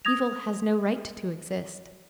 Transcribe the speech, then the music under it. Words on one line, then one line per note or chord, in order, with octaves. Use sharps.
Evil has no right to exist.
D#6 G#6 A#6 F7